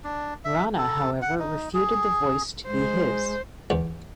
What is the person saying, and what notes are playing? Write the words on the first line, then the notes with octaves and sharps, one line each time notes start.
Rana however refuted the voice to be his.
D4
E5
A4
F#5
D#4
G#4
G#3 C5
E2